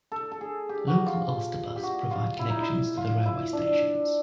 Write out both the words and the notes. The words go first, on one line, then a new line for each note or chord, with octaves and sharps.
Local Ulsterbus provide connections to the railway stations.
A4
A4
G#4
G4
F#4
F4
G4
F#4
F4
E4
D#4
E4
F4
E4
D4